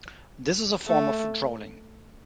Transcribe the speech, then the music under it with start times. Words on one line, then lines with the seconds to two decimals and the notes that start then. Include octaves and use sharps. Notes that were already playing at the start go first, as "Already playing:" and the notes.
This is a form of trolling.
0.88 A3